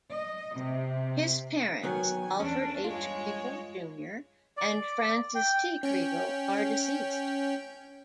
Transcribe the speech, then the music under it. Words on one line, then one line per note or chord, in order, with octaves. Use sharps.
His parents, Alfred H. Kregel Junior and Frances T. Kregel, are deceased.
D#5
C3
D#3 F#3 B3 G#5
E2 C#4 D4
G2 G#3 F4 C#5
D5
G5
C#4 G5